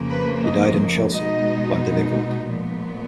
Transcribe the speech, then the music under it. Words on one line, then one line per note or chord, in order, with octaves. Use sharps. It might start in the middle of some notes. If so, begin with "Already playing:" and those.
He died in Chelsea, London, England.
Already playing: F2 C#3 F3 A#3
B4
D#5
B2 G#3 B3 D#4 D#5
A#2 F3 G#3 B3